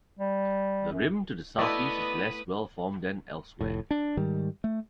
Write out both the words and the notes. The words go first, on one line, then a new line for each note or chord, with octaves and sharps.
The rim to the southeast is less well-formed than elsewhere.
G3
F#2
A3 B3 E4 B4 D5 D#5 D#6
F1 A2
D4
G#2 D#3 G3
A3